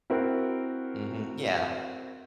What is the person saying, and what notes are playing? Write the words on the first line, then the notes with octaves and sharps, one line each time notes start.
Mhm, yeah.
C4 E4 F#4 A#4